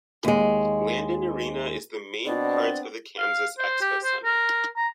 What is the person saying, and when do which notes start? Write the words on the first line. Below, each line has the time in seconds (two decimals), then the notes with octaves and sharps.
Landon Arena is the main part of the Kansas Expocentre.
0.25 D#2 G#3
2.26 B2 B3 C4 D4 D5
3.19 F5
3.58 C5
3.81 G4
4.04 C5
4.24 A#4
4.76 A#5